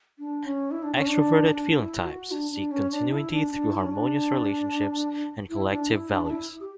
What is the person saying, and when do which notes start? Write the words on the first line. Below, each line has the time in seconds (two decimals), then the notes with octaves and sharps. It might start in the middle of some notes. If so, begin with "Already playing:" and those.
Extroverted feeling types seek continuity through harmonious relationships and collective values.
0.19 D4
0.46 C#4
0.71 E4
0.83 D4
0.95 C#4
1.06 D4
1.51 D4
1.78 E4
2.05 F#4
2.31 D4
2.51 D4
2.71 C#4
2.91 D4
3.11 E4
3.31 D4
3.51 D4
3.71 E4
3.78 D4
3.85 C#4
3.92 D4
5.50 E4
5.71 D4
5.90 E4
6.10 D4
6.25 D4
6.30 E4
6.60 G4